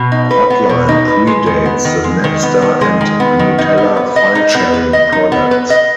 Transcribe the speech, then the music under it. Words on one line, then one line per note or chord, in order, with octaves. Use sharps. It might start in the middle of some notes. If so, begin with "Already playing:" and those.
Hotline predates the Napster and Gnutella file sharing products.
Already playing: B2
D#4
B4
B3
B2
D#4
B4
G#3
D#3
B3
D#3
G#3
D#3
B3
D#3
G#3
D#3
B3
D#3
D#4
B3
B4
D#5
D#4
B3
B4
D#5
D#4
B3
B4
D#5